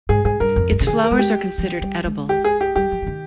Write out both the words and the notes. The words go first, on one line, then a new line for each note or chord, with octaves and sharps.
Its flowers are considered edible.
G#2 G#4
G#2 G#4
G2 A#4
F2
G2
C#3
D#3 G#4
A#4
G#3
G4
F3
G3
G#3
G4
G#4
G4
G3 G4
F3
F3
D#3